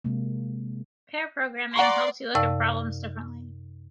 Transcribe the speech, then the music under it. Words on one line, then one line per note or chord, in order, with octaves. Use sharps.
Pair programming helps you look at problems differently.
C3 G#3 A#3
D5 F#5 A#5 C6 C#6
F#2 C3 D5 F5 A5 E6